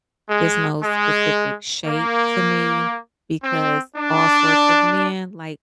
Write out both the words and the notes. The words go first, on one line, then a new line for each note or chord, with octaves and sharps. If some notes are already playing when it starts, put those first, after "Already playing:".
it's no specific shape to me because all sorts of men like
G#3
G#3
A#3
C4
D4